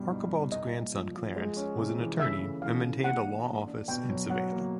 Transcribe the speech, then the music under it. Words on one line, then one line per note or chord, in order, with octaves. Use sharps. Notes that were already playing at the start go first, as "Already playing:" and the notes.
Archibald's grandson, Clarance, was an attorney and maintained a law office in Savannah.
Already playing: G2 B2 G3
D#4
D#4
C2 D#5
A#2
F3
F3
G#3
C#4
C3
E3
C#3 E5
A3
E3 F5
E3
A#3 F#5
D4
A#3
D4
B2 G5
F#3
F#3 F#5
A#3